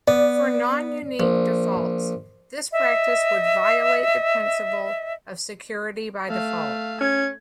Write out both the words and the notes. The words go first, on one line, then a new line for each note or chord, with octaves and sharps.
For non-unique defaults, this practice would violate the principle of 'security by default'.
B3 D5
A#1
D#5 E5
A3 F5
C#4 G#6